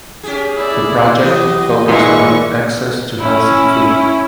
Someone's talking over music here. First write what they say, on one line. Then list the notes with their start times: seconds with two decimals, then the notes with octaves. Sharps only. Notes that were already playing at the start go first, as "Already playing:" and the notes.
The project focused on access to healthy food.
0.23 C#4 G4 G#4
0.56 E4 D5
1.23 E3 F#3 B3 G4 D#5
1.89 A#2 D#3 E3 G#3 C#6
3.20 C#4 E4